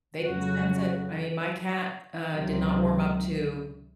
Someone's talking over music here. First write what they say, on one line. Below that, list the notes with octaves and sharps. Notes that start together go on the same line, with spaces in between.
they can sense it. I mean my cat, uh, did not warm up to
F2 C#3 F#3 F#4
C#2 C3 D#3 F#3